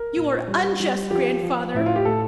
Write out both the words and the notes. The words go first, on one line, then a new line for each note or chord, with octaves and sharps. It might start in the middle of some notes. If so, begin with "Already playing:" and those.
You are unjust, Grandfather.
Already playing: A#4
A#2
G3
G3
F3 G4
F3
A2 E4
F4
G4
A2 A4